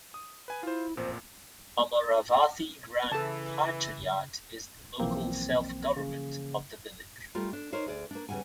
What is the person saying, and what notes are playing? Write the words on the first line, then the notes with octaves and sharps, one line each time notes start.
Amaravathi gram panchayat is the local self-government of the village.
D#6
B4 G#5
E4 F4 C5
A1 F2 A#2 C5
C#3 E3 A4 A5
B1 E3 F3 A#3 C4
C#3
G3 A3 F4 A#4
D4
D#4 A#4 C5 C#5
D2 G#4 D5
A#3 D4
E2 C#3 G3 F#5 G#5